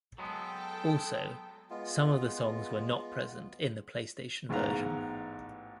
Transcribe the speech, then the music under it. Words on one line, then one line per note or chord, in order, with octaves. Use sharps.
Also, some of the songs were not present in the PlayStation version.
F#3 G#3 B3 A4 G5
G#3 B3 F4
A1 G#2 B3 F5 A#5